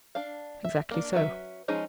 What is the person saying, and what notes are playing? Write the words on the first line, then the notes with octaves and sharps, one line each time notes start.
"Exactly so."
D4 F5
E5
A#3 D4
F#3 C#4 B4 E5
F3 G#3 C#4 D#4 G#4